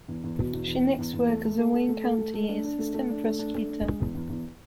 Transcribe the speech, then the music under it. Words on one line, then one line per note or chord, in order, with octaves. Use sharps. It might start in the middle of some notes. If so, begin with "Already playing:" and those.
She next worked as a Wayne County Assistant Prosecutor.
E2
E2
B2
E2
E2
E2
E2
E2
A3
A3
A3
A3
A3
A4
A3
A3
D4
D4
A3
A3
D4
A3
D4
A3
D4
G#3
E2
E2
E2